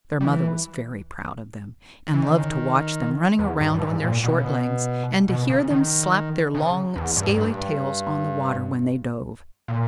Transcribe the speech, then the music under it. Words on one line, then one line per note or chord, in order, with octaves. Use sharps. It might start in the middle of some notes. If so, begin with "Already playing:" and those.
Their mother was very proud of them, and loved to watch them running around on their short legs, and to hear them slap their long, scaly tails on the water when they dove.
G3
E3
E3
D#3
C#3
D#3
E2
G2
G2
G#2
A#2
B2
C#3
B2
B2
C#3
D#3
C#3
E2
G2
G#2
G2
A#2